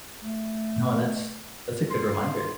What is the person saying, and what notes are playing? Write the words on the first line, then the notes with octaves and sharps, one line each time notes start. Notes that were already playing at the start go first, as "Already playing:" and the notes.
No, that's that's a good reminder.
A3
C6